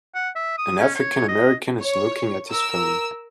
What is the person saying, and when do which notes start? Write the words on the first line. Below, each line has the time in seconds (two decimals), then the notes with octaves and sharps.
An African american is looking at his phone.
0.15 F#5
0.36 E5
0.58 D#6
0.80 C#4
0.95 C#5
1.28 D#5
1.81 C#5
2.48 A#4 E6